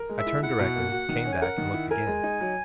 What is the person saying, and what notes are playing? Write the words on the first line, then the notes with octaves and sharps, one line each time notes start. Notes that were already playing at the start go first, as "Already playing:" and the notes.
I turned directly, came back, and looked again.
Already playing: A#4
G#3
E5
E4
E4 F#5
B2
A#3
F#4
D#3
C#4
G#5
A#4 F#5
D#3
E4
A#4 G#5
G#3
D#4
F#3